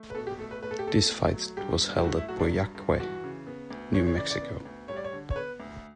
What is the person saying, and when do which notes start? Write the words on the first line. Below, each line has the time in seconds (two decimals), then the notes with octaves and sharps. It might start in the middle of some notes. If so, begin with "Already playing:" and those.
This fight was held at Pojoaque, New Mexico.
Already playing: A3
0.10 B4
0.15 B2 A4
0.27 G4
0.39 A3 A4
0.51 B4
0.63 A3 B4
0.71 A4
0.79 G4
0.86 B2 A4
1.10 A3
1.34 F#3
1.57 G2 G4
1.81 G2
1.97 G4
2.04 A3 F#4
2.17 E4
2.28 F#3 F#4
2.40 D4
2.52 G2
2.75 G2
3.00 E3 F#4
3.24 C#3
3.47 B3
3.70 D2
3.94 E3 C#5
4.07 C#5
4.17 C#3 D5
4.30 D5
4.41 B3
4.65 D2
4.88 G3 C#5
4.97 D5
5.04 C#5
5.13 D3
5.30 C#5
5.36 B3 B4
5.60 D2